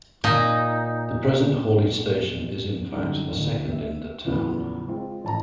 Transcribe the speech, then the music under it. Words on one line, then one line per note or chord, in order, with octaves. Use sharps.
The present Horley station is in fact the second in the town.
A#2 D#4
F#2 D3 G3 D#4
A1 D2
E5
E2 A2 C#3 F3 F#3 B3
G#3 C4 F4
A1 A5 A#5